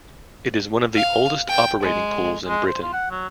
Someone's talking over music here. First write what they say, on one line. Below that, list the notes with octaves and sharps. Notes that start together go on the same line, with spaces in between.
It is one of the oldest operating pools in Britain.
F5
G5
G#3
G#3
C5
F4
F#5
F#3